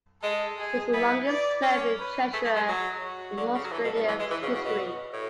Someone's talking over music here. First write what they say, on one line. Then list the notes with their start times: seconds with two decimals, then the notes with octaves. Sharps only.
He is the longest-serving Treasurer in Australia's history.
0.22 G#3 A4
0.58 G#4
0.93 B3 E4
1.27 D5
1.62 C#4 C#5
1.98 B4
2.33 A3 G#4
2.45 A3
2.56 G#3
2.68 F#3
3.03 F#4
3.37 D3
3.55 C#3
3.64 F#3
3.72 E3 A4
3.84 B2
3.96 C#3
4.08 E3
4.19 G#3
4.31 E3
4.43 C#3 F#4
4.54 C#3
4.65 B2
5.13 A2